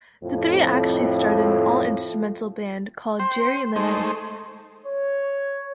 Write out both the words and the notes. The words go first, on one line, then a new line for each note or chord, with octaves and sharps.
The three actually started an all-instrumental band called "Jerry and the Knights".
F2 A2
C5 G5 C6
G#3 A3 D#4 C5
C#5